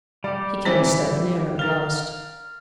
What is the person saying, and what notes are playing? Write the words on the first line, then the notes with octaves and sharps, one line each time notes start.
He came a step nearer at last.
G3 G4 D5
E3 C4 E4 C5 B6
A#4 F5 A6 G7